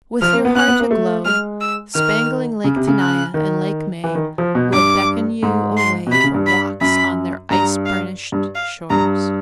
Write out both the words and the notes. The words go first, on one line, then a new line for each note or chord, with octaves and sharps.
With your heart aglow, spangling Lake Tenaya and Lake May will beckon you away for walks on their ice-burnished shores.
F3 F6
A#3
B3
B3 F#6
B3
A#3
A3
G#3 F6
E6
D#3 F6
C#3
C3
C#3
F#6
D#3
E3
D#3
F3
B2
G2 D6
G#2
C6
B2
C3 B5
C#3
G2
B5
F#2 B5
G2 A#5
F5
G2
F5
G2 A#5